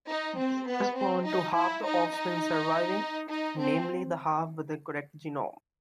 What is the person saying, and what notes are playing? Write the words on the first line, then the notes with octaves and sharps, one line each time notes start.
This corresponds to half the offspring surviving; namely the half with the correct genome.
D#4
C4
B3
C4
D#4
E4
D#4
D#4
D#4
C4